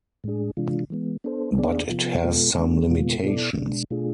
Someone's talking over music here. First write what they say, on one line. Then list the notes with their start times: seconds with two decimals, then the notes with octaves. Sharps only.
But it has some limitations.
0.24 A2 G#3 D4 G#4
0.57 C3 E3 G#3 D4 F4
0.90 E3 G#3 B3
1.24 B3 D4 A4 C5
1.57 B3 D4 G#4 D5
1.90 C3 F3 B3 F4
2.24 B2 G#3 B3 F4 A4
2.58 E3 A3 D4
2.90 B2 G#3 B3 F4
3.24 B2 B3 E4 A4 D5
3.58 B2 G#3 D4
3.90 B2 A3 D4 F4 G#4